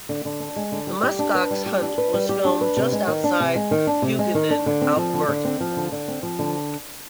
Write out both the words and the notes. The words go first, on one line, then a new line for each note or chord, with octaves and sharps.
The muskox hunt was filmed just outside Hughenden, Alberta.
D3
D3
D4
G#3
D3
G3
G4
D4
B4
G3
G4
D4
B4
G3
G4
D4
B4
C3
G#3
D#3
D4
C3
G#3
D#3
D4
C3
G#3
D#3
D4
D3
C4
F3
D3
D3
C4
F3
D3
D3
C4
F3
D3